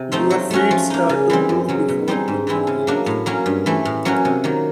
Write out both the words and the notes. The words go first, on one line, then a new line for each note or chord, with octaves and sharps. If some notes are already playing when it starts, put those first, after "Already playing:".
Your feet start to move before you know it.
Already playing: C3
F3 A3 C4 D#4
F#3
A3 C#4 F#4
F3
A#3 D#4
C#3
E3 G3 C4
F#2
C#3 F#3
B2
G3 C4 D#4 G#4
G#2
E3 G#3 C4 E4
C#3
F#3 A#3 D4
A2
F#3 A#3 C#4
G2
E3 A3
A2
F#3 A#3 C#4 F#4
C3
D#3 F#3 A#3